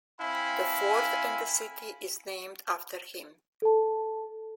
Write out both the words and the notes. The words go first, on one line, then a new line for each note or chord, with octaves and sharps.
The fort and the city is named after him.
C4 E4 F5 G5 G#5 B5
A4 A5